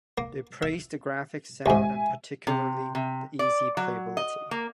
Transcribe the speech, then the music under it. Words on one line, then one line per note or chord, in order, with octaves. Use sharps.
They praised the graphics, sound, and particularly the easy playability.
A#3
E5
D#2 G#2 E5 G#5
C3
C3
D5
F#3
D#5
A#3